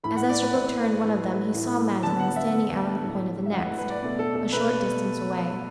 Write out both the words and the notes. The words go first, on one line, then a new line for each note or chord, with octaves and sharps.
As Esterbrook turned one of them he saw Magdalen standing out on the point of the next, a short distance away.
A2 E3 A3 B5
F#5
D5
B4
A2 E3 A3
A2 E3 A3 B4
B5
A2 E3 A3
D3 B3 A5
F#5
E5
D3 B3
A2 F#3 A3
E5
A2 F#3 A3 F#5
B4
B4
D5
B2 A3 D5
A4
A4
B2 A3 B4